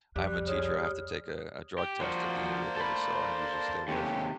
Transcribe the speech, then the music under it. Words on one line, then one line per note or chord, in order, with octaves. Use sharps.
I'm a teacher. I have to take a a drug test at the end of the day, so I usually stay away from it.
C2 F2 G3 F#6
G#4 C#5 D#6 F6
G4
F3 A#3 D4 F#4 C5
A4 B5
D#2 C3 A3 C#4 G4